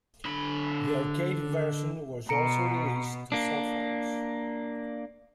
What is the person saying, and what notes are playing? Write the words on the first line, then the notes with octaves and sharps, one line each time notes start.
The arcade version was also released to cell phones.
D3 B5
B2 A#5 C#7 D7
A#3 D4